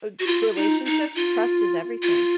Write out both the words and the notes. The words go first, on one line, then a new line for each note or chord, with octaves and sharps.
r relationships, trust is everything.
F#4
F4
D#4
D#4
F4
F4